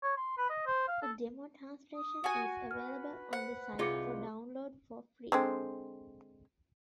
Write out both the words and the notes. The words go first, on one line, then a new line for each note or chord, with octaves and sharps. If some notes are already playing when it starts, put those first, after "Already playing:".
A demo translation is available on the site for download for free.
C#5
C6
B4
D#5
C5
F5
A4
D#6
F#4 G#5
B4 F6
C5 F#5
C2 D#4 F4 G#4 D6 C#7
D3 G#3 C4